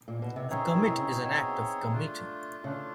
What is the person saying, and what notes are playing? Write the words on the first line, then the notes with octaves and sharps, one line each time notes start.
A "commit" is an act of committing.
A#2
B2
C3
C#3 C4 D#4 G#4 C#5 E5
E3
D#3
C3
C#3
B2 C4 D#4 G#4 C#5 E5
A3 D4 F4
C#3 A3 D4 F4